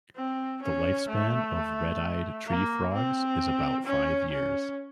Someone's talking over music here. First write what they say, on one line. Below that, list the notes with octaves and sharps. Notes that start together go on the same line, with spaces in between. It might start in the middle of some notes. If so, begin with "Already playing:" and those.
The lifespan of red-eyed tree frogs is about five years.
C4
C#4
A3
A#3
C4
C#4
C#4